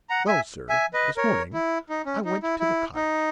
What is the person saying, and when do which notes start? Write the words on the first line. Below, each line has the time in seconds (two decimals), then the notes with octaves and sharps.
Well, sir, this morning I went to the cottage.
0.09 F#5 A#5
0.28 E5 G#5
0.69 E5 G#5
0.93 B4 D#5
1.17 A#4 C#5
1.53 E4
1.89 D#4
2.06 C#4
2.25 D#4
2.43 E4
2.60 E4
2.95 D#4